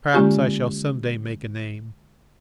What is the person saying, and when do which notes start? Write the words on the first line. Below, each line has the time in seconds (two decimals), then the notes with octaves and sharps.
Perhaps I shall some day make a name.
0.14 D3 G#3 A#3 C#4 F4 G4